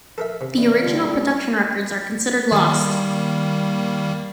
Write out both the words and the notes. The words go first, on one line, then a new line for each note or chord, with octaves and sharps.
The original production records are considered lost.
A4 A#4 E5
C3
E2
D3 G3 F4
G3 A3
D#3 G3 A#3